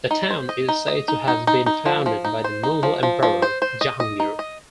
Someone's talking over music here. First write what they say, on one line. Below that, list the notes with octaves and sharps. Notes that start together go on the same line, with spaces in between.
The town is said to have been founded by the Mughal emperor Jahangir.
D#4
C5
D#5
D#4
D#5
D#4
D#4
D#4
D#4
F3
F3
D#4
C5
D#4
F3
F3
F3
C5
C5
D#5
D#5
D#4
D#5